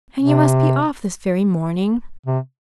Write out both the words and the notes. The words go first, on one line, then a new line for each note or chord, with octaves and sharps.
"And you must be off this very morning?"
C3
C3